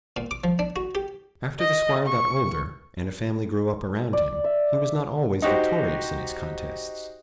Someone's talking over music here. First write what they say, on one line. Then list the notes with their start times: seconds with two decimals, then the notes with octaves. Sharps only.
After the squire got older, and a family grew up around him, he was not always victorious in his contests.
0.17 A#2
0.31 D6
0.44 F3
0.59 D4
0.76 F#4
0.95 G4
1.60 D#5
2.07 C#6
4.13 D5
4.44 E5
5.42 D#4 F#4 G4 C5